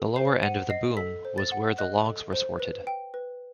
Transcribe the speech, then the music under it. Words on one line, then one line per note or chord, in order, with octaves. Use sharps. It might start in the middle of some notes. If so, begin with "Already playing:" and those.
The lower end of the boom was where the logs were sorted.
Already playing: A4
C5 C7
F#5 D#7
D#5 C7
A4 B6
C5
A6
F#5
D#5 F#6
A4
C5
B4
G5
B4